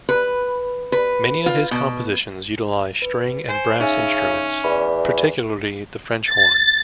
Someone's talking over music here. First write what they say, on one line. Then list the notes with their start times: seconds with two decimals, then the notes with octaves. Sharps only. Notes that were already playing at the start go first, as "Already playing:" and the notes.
Many of his compositions utilize string and brass instruments, particularly the French horn.
0.09 B4
0.92 B4
1.46 F4
1.71 B2
3.02 B4
3.49 C5 G#5
3.80 C#3 C#4 D#4 E5
4.64 E2 D5 B5
6.24 A6